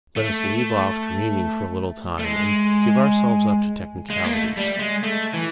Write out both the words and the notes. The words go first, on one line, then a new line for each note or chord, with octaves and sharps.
Let us leave off dreaming for a little time and give ourselves up to technicalities.
A3
A3
G#3
G#3
A#3
A3
G3
G#3
A3
E3